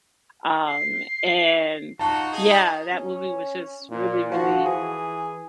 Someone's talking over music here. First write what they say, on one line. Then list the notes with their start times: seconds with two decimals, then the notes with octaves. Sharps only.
Um, and yeah, that movie was just really, really,
0.68 C7
1.99 D#4 F4 F#4 A5
2.33 D#4 G#4
2.93 C#4
3.90 A#2
4.31 F3 F#4
4.65 E3 G#4